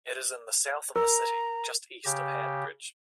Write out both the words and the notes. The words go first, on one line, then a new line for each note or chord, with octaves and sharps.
It is in the south of the city, just east of Handbridge.
A#4 A#5
C#3 G4